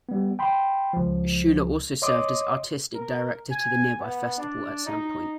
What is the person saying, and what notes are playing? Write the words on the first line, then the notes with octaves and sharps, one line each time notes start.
Schuller also served as Artistic Director to the nearby Festival at Sandpoint.
G3 B3
G5 B5 C6
C#2 F3
C#5 D#5 C6 D6 D#6
A#4
G#5
B3
D4
D#4